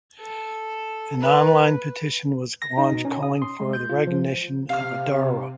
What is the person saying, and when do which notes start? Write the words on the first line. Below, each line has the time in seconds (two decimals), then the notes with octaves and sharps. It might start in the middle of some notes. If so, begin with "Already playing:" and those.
An online petition was launched calling for the recognition of the Darug.
0.19 A4
1.20 B4
2.62 A#6
2.78 D#4
2.92 B2
3.05 C#4
3.23 D#6
3.42 C6
3.60 G#3
3.73 G6
3.90 F4
4.07 F3
4.69 C3 F5 F6